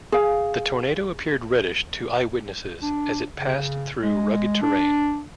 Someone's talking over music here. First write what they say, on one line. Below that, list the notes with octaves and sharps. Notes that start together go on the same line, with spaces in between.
The tornado appeared reddish to eyewitnesses as it passed through rugged terrain.
G#4 F5
D4
C#3
G#3
D4